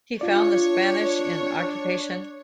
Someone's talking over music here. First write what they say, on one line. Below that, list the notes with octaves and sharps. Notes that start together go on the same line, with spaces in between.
He found the Spanish in occupation.
D4 F4 C#5 D5